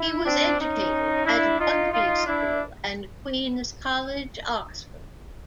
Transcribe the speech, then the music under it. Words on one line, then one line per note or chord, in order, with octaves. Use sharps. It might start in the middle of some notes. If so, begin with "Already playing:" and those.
He was educated at Rugby School and Queen's College, Oxford.
Already playing: E4
C4 D4
C#4 D#4
D4 E4
D#4 F4
D#4 F4
D4 E4